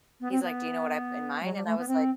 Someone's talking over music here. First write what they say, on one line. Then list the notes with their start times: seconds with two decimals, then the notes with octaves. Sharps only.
He's like, "Do you know what I put in mine?" And I was like
0.20 B3
0.31 C4
0.41 B3
1.42 F#3
1.53 G3
1.65 A3
1.77 B3
1.88 C4